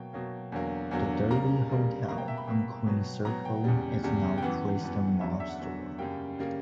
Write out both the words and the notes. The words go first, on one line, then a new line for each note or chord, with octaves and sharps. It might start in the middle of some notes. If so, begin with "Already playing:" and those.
The Derby Hotel on Queen's Circle is now a Crystal Mart store.
Already playing: B2 F#3 A#3 G5
B2 F#3 A#3
E2 D3 F#3 A#3
E2 D3 F#3 A#3
C#3 G3 A#3 A#5
C#3 G3 A#3
B2 A#3 A#5
G5
E5
B5
B2 A#3 G5
B2 F#3 B3
B2 F#3 B3 A#5
G5
E2 C#3 G3
E2 C#3 G3
G5
F#2 E3 B3 F#5
F#2 E3 B3
E2 D3 F#3 E5
D5
E5
F#5
E2 D3 F#3
F#2 C#3 G3 A#3 G5
C#3 G3 A#3